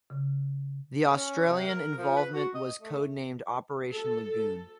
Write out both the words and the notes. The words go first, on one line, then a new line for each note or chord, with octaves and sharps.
The Australian involvement was codenamed Operation Lagoon.
C#3
C#4
C3
A#4
F3
B4
F#4
D#5
A3
A4